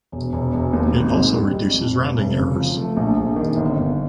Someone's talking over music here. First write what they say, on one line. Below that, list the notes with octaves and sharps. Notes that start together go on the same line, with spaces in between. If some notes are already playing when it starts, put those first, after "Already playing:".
It also reduces rounding errors.
E1
E1
E1
D#2
G#1
G#2
G3
G#1
F2
F1
F1
C#3
F3
A3
A#1
A#1
D#3
G1
G1